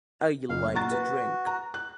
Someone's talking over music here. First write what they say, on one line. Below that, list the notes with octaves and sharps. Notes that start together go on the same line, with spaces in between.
I like to drink.
F#1 F5
A#2 F#4 A#5 A6
B4
A#5
F#6